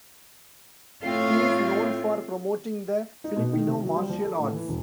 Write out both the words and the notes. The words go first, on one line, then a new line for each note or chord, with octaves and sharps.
He is known for promoting the Filipino Martial Arts.
A2 A3 C4 F4 C#5 F5
D#4
B2
D#3
C3
F#3
G3
F3
A4
A2
E3
E1